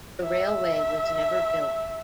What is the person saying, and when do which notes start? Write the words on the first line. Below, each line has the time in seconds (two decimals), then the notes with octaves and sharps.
The railway was never built.
0.24 E5